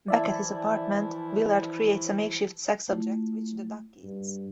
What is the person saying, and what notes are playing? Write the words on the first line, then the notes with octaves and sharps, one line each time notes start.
Back at his apartment, Willard creates a makeshift sex object, which the duck eats.
E3 F3 E4 D5 E5 A5
A3 E4 F4
G2